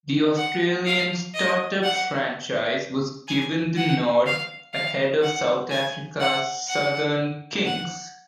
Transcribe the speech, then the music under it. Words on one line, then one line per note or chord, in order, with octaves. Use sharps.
The Australian start-up franchise was given the nod ahead of South Africa's Southern Kings.
F#5
F5
D#5
F#5
G#5
F#5
F5
F5
F#5
G#5
F#5
F#5
F#5